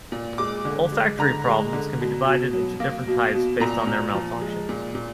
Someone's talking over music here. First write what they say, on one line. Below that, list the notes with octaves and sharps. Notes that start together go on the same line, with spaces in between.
Olfactory problems can be divided into different types based on their malfunction.
A#2
G#3 D6
D3
G#3
D3 A#5
G#3
D3
B2
B2
F#3
A#3
B2
B2
A#2 A#5
A#2
F3
G#3
A#2
A#2